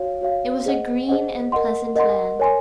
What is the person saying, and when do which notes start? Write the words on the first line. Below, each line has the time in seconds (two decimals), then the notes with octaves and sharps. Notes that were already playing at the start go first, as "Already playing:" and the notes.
It was a green and pleasant land.
Already playing: F#4 C#5 F5
0.21 F#4 C#5 F5
0.66 G#4 C5 D#5 F#5
1.09 G#4 C5 D#5 F#5
1.52 A#4 D#5 F#5 C6
1.95 A#4 D#5 F#5 C6
2.39 A#4 C#5 G#5 C6